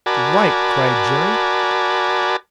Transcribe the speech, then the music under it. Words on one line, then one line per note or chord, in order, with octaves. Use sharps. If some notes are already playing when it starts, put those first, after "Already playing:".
"Right!" cried Jerry.
F#4 A#4 D5 G#5 A5 B5